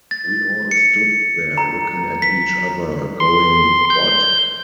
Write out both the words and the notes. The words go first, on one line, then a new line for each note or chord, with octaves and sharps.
We all stood there looking at each other going, 'What?
A6
C#7
A#5
B6
C6
G6